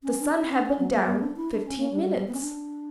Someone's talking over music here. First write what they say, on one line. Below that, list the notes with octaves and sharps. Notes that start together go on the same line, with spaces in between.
The sun had been down fifteen minutes!
C#4
D4
E4
D4
C#4
F#3
A#3
B3
D4
E4
D4
C#4
A#3
G3
G3
G3
B3
C#4
D4